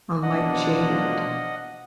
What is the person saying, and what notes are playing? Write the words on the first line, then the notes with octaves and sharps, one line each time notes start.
"Unlike Jade."
B2 F3 A#3 D4 D#5 F#5